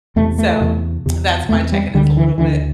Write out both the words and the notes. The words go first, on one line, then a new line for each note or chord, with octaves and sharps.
So, that's my check-in is a little bit,
E2 C3 A3
A3
E2 C3
E2 C3
E2 C3 A3
G3
D2 D3 G3
E3
D2 D3 E3